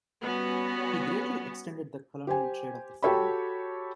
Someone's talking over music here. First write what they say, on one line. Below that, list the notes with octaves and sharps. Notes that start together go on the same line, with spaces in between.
He greatly extended the colonial trade of the firm.
G3 B3 C#4 F#4
G4 C5 G#5
F#4 G4 A4 C#5 G5 B5